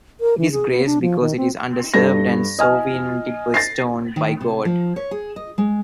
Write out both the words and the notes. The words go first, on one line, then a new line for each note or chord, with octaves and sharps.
It is grace because it is undeserved and sovereignly bestowed by God.
A#4
E3
G#4
B3
D4
F3
D#3
C4
G2 A4 A#6
D#5 G#5 F6
A6 A#6 C7
D#3
C3
F3
C#5
G#4
D#5
G#3